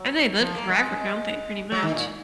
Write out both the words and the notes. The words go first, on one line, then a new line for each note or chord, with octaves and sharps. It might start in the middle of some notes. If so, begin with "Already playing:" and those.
And they live forever, don't they, pretty much?
Already playing: F#3
F3
A#3
G#3
F#3
D#3
A#2